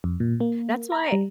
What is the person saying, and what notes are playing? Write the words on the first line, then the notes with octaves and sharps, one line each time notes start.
That's why
F2
A#2
A#3
A#5
G3